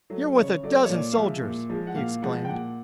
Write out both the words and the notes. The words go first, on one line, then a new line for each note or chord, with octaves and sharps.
"You're worth a dozen soldiers!" he exclaimed.
F#3 A3
C#3 C#5
F#3 A3 D5
C#5
A#2 D5
F5
F3 G#3 E5
A#2
F3 G#3
F#5
A#2 F5
F3 G#3 F#5
G5
A#2 F#5